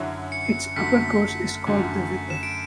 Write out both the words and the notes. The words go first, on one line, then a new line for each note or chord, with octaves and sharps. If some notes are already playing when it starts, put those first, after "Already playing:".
Its upper course is called the Wipper.
Already playing: F#2 D3 F#3 C#4 E4
C#7
F#2 D3 A3 B6
F#2 D3 A3
E7
D7